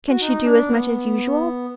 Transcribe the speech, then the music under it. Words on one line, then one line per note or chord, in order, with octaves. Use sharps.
Can she do as much as usual?'
F#4
D#4
D4
B3